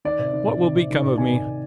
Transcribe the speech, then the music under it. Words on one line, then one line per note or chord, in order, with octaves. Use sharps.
What will become of me?
D#3 D5
C3
D#3
C3
C3
C3
D#3
C3
D#3 G#5
C3
C3